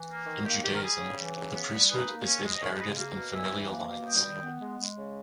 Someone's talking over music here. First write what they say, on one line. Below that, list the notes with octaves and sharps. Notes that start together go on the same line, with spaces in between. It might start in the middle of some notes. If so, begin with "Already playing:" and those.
In Judaism the priesthood is inherited in familial lines.
Already playing: E3
A#3
D#3
A#3 G4
D#3 G4
A#4
G3 G#4
C#3
E3
C#3
B3
G3
D#4 G#4 B4
A#3
C#4
G#3
D#5
G#3 A#4 C#5
C#3 B4 D#5
A#3
B2
G3 E5 G#5
E3
A#3
B2
G3 D#5 G5
D#3
B3
G#3
G#3
C#3